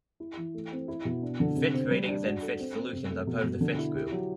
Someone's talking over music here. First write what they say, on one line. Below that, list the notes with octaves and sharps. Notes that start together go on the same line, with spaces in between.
Fitch Ratings and Fitch Solutions are part of the Fitch Group.
E4
E3
A3
C4
E4
B2
D4
D3
C3
C4
G3
D4
F#4
A4
C4
C4
C3
A3
B2
B2
D3
E4
G4
F#3